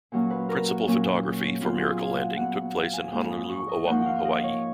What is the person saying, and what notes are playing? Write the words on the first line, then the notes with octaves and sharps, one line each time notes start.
Principal photography for "Miracle Landing" took place in Honolulu, Oahu, Hawaii.
A#2 F#3 A#3 C#4
B4
A#4
F#4
A#2 F#3 A#3 C#4
A#2 F#3 B3 F4
G#4
F5
F#5
A#2 F#3 B3 F#5
F#5
F5
G#5
G#2 F3 A#3 D#4 G#5
D#6
C#6
D#5
G#2 F3 A#3 D#4 F#5
F5
D#5
C#5